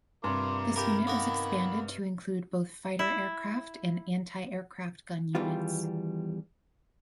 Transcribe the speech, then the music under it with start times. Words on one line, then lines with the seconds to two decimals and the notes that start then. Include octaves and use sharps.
This unit was expanded to include both fighter aircraft and antiaircraft gun units.
0.24 G2 C3 F4 A#4 C6 D6
0.76 A#3 F4 G4 A#4 A#5 B5
1.07 D#3 A#3 B3 A#4
2.99 E4
5.35 E2 D#3 E3 G3 F4